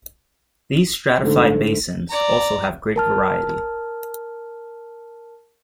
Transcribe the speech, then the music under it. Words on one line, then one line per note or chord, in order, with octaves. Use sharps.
These stratified basins also have great variety.
G#2 D3 A3
D5 A#5
A#4 A5 F6